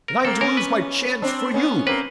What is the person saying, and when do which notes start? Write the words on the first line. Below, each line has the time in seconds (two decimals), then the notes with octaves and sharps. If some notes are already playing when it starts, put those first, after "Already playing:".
And I'm to lose my chance for you!
0.08 A#4
0.25 A#3 C4 A4
0.41 B3 C#4 A#4
0.57 B4
1.22 C4 D4
1.54 B3 C#4
1.86 A#3 C4 B4